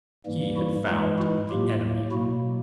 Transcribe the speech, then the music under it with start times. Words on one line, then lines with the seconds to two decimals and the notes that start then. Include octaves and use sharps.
He had found the enemy.
0.25 G#2 E3 G3 A#3
0.56 E4 F#4
0.87 G#2 E3 G#3 D#4 F4
1.18 E4 F#4
1.49 A2 F#3 A#3 F4 G4
2.11 B2 F#3 A#3 E4 F#4